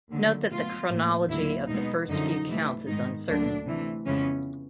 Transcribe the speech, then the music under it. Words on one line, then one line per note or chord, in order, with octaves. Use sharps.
Note that the chronology of the first few counts is uncertain.
D#2 D3 F#3
B2 F#3 A3 F4
A2 F#3 A#3
D#2 D3 F#3 A#3 E4
B2 G#3 B3 D#4
F#2 D3 F3 D#4
C3 E3 A3
G#2 D#3 G#3 B3 D#4
D2 D3 F#3 A#3 D4
C3 E3 A3
F2 C#3 E3 G#3 B3 C#4